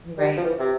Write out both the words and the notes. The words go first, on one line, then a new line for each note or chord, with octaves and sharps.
N right.
G3
F3
E3
C3